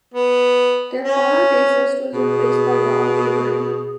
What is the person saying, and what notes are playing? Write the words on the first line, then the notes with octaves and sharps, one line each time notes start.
Their former bassist was replaced by Rob Avery.
B3
C#4
B2 G#4